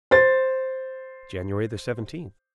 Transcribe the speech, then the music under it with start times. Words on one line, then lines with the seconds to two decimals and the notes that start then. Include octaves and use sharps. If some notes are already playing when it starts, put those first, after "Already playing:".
"January the seventeenth."
0.11 C5 A6